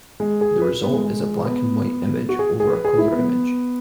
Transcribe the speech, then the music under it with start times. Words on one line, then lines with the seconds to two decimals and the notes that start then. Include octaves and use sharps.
The result is a black-and-white image over a color image.
0.20 G#3
0.41 G#4
0.62 B4
0.83 B3
0.93 G#3
1.04 G#3
1.45 B3
2.29 F#4
2.39 G#4
2.60 G#4
2.71 B4
2.85 G#4
2.98 E4
3.12 B3